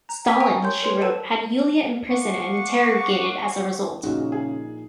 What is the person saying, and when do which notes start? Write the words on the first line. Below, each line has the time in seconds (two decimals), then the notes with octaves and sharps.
Stalin, she wrote, had Yulia imprisoned and interrogated as a result.
0.09 A#5
0.25 F#5 G#5 B6
0.40 G5 G#5 A#5 C#6 D#6
0.62 A#4 C#5 C6 G6
0.82 A#4 B4 C#5 C6
1.00 A4 B4 C5 A5
2.10 F5 F#5 C#6 D6
4.03 A#1 A#2 C#3 D#4 F#4
4.32 G#4